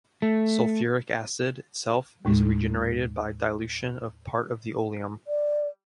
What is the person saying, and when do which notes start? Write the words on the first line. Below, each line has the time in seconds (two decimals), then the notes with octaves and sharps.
Sulfuric acid itself is regenerated by dilution of part of the oleum.
0.22 A3
2.25 D#2 A2 G#3
5.27 D5